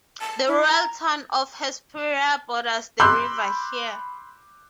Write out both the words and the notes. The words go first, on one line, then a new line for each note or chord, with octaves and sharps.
The rural town of Hesperia borders the river here.
A5
E4
A#5
B5 C6 D6 E6 F#6 G6